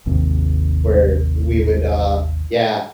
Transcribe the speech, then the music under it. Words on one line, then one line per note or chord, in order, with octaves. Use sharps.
where we would, uh yeah,
G#1 D#2 C3 D#3